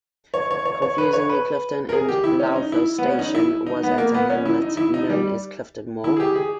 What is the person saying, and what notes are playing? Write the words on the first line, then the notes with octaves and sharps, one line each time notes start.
Confusingly Clifton and Lowther Station was at a hamlet known as Clifton Moor.
C#5
C#5
C#5
C#5
B4
C#5
B4
A#4
G#4
G4
E4
C#4
D#4
E4
B3
C#4
D#4
E4
D#4
B3
A#3
B3
C#4
E4
D#4
E4
D#4
G3
E4
G#4
G4
G#4